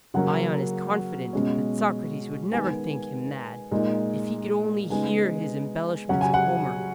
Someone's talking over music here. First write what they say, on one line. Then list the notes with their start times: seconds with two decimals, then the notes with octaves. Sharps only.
Ion is confident that Socrates would never think him mad if he could only hear his embellishments of Homer.
0.14 C#3 F#3 A#3 C#4 F#5
1.33 B2 G#3 C#4
2.52 D#3 G#3 B3 G#5
3.72 A#2 G#3 D#4
4.90 C#3 G#3 B3 D#4 G#5
6.09 C#3 F#3 C#4 F#5
6.21 G#5
6.34 F#5